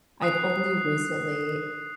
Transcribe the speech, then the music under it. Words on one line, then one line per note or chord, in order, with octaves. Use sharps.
I've only recently
D#6 F#6 C7